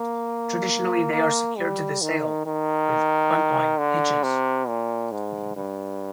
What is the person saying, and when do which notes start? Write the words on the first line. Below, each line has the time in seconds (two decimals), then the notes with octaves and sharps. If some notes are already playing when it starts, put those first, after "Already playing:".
Traditionally they are secured to the sail with buntline hitches.
Already playing: A#3
1.13 A#3
1.58 G3
2.02 D#3
2.46 D#3
3.79 D3
4.23 C3
4.68 A#2
5.12 G#2
5.56 G2